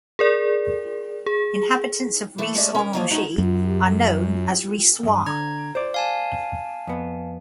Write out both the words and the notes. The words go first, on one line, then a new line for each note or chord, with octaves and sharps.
Inhabitants of Ris-Orangis are known as "Rissois".
G#4 A#4 D5
G#4
E3 A3 A4
G#3 A3 C#4 G4 D5 E5
C#4 A#4
F3 G3 A#3 F4 C#5 D#5
G#3 A3 C#4 D#4 F#4
F#2
E2 G2
D3 A#5 G#6
C5 D5
F5 G#5 A5
F2 B3